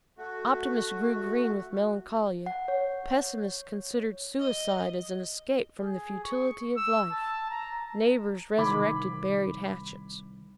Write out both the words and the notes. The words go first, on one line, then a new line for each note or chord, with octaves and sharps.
Optimists grew green with melancholia, pessimists considered suicide as an escape from the futility of life, neighbors resurrected buried hatchets.
A3 F#4
F#5
C#5
D#5
G#4
C#6
E6
A5
A#5
C2 D#3 B5 D6 G#6